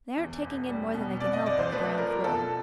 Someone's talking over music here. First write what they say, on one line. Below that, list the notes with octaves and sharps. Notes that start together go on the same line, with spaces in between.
They aren't taking in more than they can help on the ground-floor.'
E2
E1
G3
B2
C3 D5
D#5
D2 D5
C5
A3 B4
F3 A#4
B2 A4